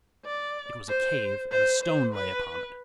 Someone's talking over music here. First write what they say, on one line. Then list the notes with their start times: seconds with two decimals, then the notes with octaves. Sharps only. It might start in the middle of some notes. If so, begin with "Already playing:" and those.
It was a cave, and a stone lay upon it.
0.25 D5
0.88 C5
1.51 C5
1.82 C5
2.14 B4